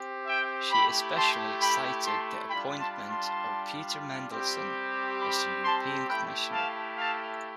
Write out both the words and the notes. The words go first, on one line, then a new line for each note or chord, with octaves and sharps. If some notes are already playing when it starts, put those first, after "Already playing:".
She especially cited the appointment of Peter Mandelson as a European Commissioner.
Already playing: C4 G4
E5 G5
A3 E4 G4 G5 B5
A5 C6
G5 B5
A5 C6
G3 D4 F4 G5 B5
A5 C6
A5 C6
G3 C4 G4
B5 D6
A5 C6
A3 E4 G4 G5 B5
F5 A5
F5 A5